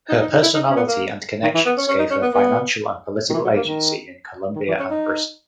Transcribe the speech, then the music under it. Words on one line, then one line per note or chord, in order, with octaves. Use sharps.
Her personality and connections gave her financial and political agency in Colombia and Britain.
D#4
D#4
D#4
E4
D#4
C#4
B3
A#3
D#3
E3
B3
C#4
C#4
D#4
C#4
B3
B3
D#3
E3
F#3
A#3
D#3
D#3
E3
C#4
D#4